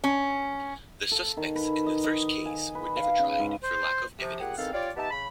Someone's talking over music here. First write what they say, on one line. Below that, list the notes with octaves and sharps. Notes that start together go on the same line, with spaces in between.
The suspects in the first case were never tried, for lack of evidence.
C#4
A4
D#3
B4
D#5
D#5
G#5
B4
F5
C#3
G#2
C5
C3 F3
A#2 G4 G#4 F#5
E2 D#3 C4 A4 F5
F4 G4 C#5 D5
B3 D#4 G4 E5 A5
C#3 B5